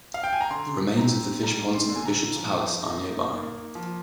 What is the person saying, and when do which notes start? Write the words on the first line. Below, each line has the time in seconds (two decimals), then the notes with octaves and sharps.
The remains of the fishponds of the bishop's palace are nearby.
0.14 F5
0.24 G5
0.33 G#5
0.41 A#5
0.50 D3 C6
0.97 C4 A#5
1.43 G3 A#5
1.74 C6
1.89 D3
1.96 G#5
2.06 A#5
2.36 F3
2.82 D#4
3.30 A#3
3.75 F3